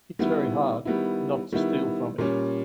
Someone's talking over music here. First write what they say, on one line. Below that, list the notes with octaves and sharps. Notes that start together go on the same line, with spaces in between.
It's very hard not to steal from it.
D#3 G3 B3 E4
D#3 G3 B3 E4
D#3 G3 B3 E4
A#2 G3 C#4